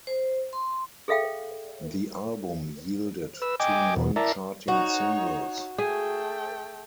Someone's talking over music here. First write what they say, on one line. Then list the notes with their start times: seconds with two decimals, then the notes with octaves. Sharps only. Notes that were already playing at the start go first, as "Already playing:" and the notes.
The album yielded two non-charting singles.
0.07 C5
0.53 C6
1.08 G#4 A4 E5 F5 G5
3.42 B4 E6
3.60 D#5 G5 G#5 D6
3.96 E2 B2
4.16 E4 A#4 D5 E5 A5 A#5
4.68 D#4 F#4 C#5
5.78 A3 G#4 G5